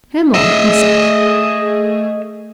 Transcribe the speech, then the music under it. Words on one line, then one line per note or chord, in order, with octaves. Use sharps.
"Himmel!" he says.
A3 G#4 D#5 E5